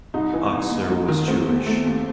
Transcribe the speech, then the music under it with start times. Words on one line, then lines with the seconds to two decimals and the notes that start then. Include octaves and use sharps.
Oksner was Jewish.
0.14 C2 D#4
0.33 E3
0.52 C2
0.70 D#2
0.90 F#3
1.09 D#3
1.28 A3 C4
1.48 E2
1.66 A3
1.86 D#2